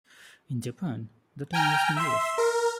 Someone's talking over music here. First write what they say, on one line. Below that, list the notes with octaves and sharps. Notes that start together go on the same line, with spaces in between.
In Japan, the term has been used.
G5 G#5 A#5 F6 G6
E5 C6
A#4